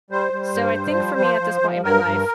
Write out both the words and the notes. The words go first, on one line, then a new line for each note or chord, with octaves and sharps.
So, I think for me at this point in my life,
G3 C5
G3
G2
G3
F3
F3
F3
F3
G2 A#4
G2